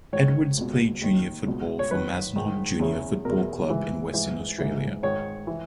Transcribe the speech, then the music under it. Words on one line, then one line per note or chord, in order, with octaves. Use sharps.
Edwards played junior football for Mazenod Junior Football Club in Western Australia.
G#2 D#3 C#5
C#2 B2
D#2 D#3
C#2 B2
C#5
F#2 D#3 B4
G#2 D#3
E2 C#3 E3
E2 B2 A#4
G#2 E3
G#2 E3
G#2 E3
G#2 D#3 C#5
E3